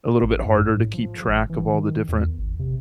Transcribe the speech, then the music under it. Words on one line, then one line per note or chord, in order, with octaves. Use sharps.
a little bit harder to keep track of all the different
A1
G2
A2
F3
G#1
E3
D#3
E2
G#1
C3